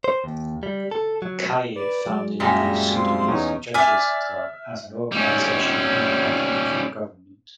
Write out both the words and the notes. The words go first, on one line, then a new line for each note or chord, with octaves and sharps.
Khair founded the Sudanese Judges Club as an organisation independent from government.
C5
D#2
G3
A4
F#3
B4 D5
F#3 G#3
F#2 A#2 G3 G#4 A#4 E5 G#5 A#5
C4 F4 C6
E2 C#4 D#4
D5 E5 G#5 F6 B6
G3 C#4